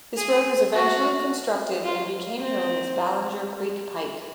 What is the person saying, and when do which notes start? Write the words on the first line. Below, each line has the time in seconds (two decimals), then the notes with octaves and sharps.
This road was eventually constructed and became known as Ballenger Creek Pike.
0.17 G#4
0.73 F#4
1.84 F4
2.39 C4